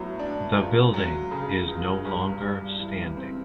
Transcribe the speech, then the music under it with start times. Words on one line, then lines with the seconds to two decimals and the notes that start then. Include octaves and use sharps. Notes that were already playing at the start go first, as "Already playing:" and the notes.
The building is no longer standing.
Already playing: A2 F#3 B3
0.19 D4
0.56 C#2
0.94 F#3
1.31 C#3
1.68 C#2
2.05 G2
2.43 G3
2.79 E3
3.17 C4